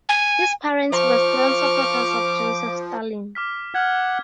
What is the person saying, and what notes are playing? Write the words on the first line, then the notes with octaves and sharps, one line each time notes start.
His parents were strong supporters of Joseph Stalin.
G#5
F3 C5 C#6 D6 F6
D6 F6 B6
F#5 F6 G#6